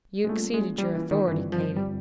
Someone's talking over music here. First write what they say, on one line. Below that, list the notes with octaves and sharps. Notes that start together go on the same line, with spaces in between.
"You exceeded your authority, Katie."
G#3
G3 A3 A#3 C#4 F4
G#3
G3
E3
D#3
G2 D3 E3 G3 C4 F4
F3
G3